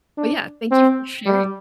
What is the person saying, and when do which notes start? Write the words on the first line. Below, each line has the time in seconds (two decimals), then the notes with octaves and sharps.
But, yeah, thank you for sharing
0.18 D4
0.71 C4
1.26 G3